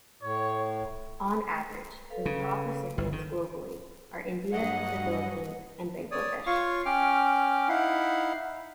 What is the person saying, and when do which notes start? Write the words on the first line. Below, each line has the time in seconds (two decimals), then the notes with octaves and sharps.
On average, the top recipients globally are India, the Philippines, and Bangladesh.
0.22 A2 C#5
2.10 A4 B4 F5
2.26 C#3
2.98 G1
3.12 D#3
4.52 G2 F#3 D#5 F#5
6.11 C#5 D5 D#6
6.46 F4 C#5 F5 C#6
6.85 C#4 G5 D6 F6
7.69 D#4 E4 F5 F#5 B5